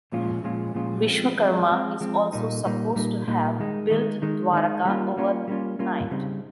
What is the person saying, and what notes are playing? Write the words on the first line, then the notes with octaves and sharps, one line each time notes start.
Viswakarma is also supposed to have built Dwarka overnight.
A#2 F3 G#3 C#4 F4
A#2 F3 G#3 C#4 F4
A#2 F3 G#3 C#4 F4
F3 G#3 C4
F3 G#3 C4
F3 G#3 C4
F3 G#3 C4
A#2 G3 A#3 D#4
A#2 G3 A#3 D#4
A#2 G3 A#3 D#4
A#2 G3 A#3 D#4
D#3 G#3 D#4
D#3 G#3 D#4
D#3 G#3 D#4
D#3 G#3 D#4
G3 A#3 C#4 F4
G3 A#3 C#4 F4
G3 A#3 C#4 F4
G3 A#3 C#4 F4
C#3 G3 C4 D#4